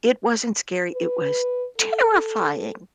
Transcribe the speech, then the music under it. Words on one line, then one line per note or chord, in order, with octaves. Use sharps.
It wasn't scary, it was terrifying.
B4
A4